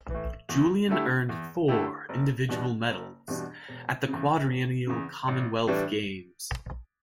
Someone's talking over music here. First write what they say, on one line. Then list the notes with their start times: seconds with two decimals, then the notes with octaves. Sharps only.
Julien earned four individual medals at the quadrennial Commonwealth Games.
0.10 A2 E3
0.49 E2
0.88 D3 A3 E4 G4
1.29 E2
1.68 D3 A3 E4 G4
2.09 F#1
2.49 E2 B2 G3 D4
2.89 F#1
3.28 E2 B2 G3 D4
3.68 E1
4.08 E2 C#3
4.47 E1
4.87 E2 C#3
5.28 A1
5.67 A2 E3 G3 D4